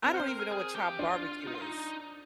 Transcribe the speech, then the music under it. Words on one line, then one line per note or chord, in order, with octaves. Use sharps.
I don't even know what chopped barbecue is.
C4 A#4
C5
A#4
A#4
G#4
G4
D4 F4
D#4
F4
D#4